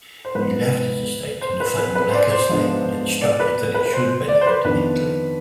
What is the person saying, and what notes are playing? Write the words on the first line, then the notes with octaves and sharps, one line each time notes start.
He left his estate to Nathaniel Eckersley and instructed that it should benefit Hindley.
C5
G#2 F3 B3 D#4 B4
C5
B4
B4
B4
C5
D5
C5
G#2 F3 G#3 B3 D4
D5
B4
B4
B4
C5
D5
C5
B4
F2 D#3 B3 D4 B4